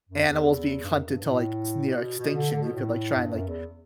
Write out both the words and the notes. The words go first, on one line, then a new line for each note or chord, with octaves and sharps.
animals being hunted to, like, s near extinction, you could, like, try and, like,
F#2
E2
G2
F#2
F#2
G2
A2
B2
B2
D3
D3
B2
A2
G2
F#2
E2